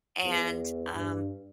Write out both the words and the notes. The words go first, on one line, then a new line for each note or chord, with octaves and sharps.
and, um,
E2
G2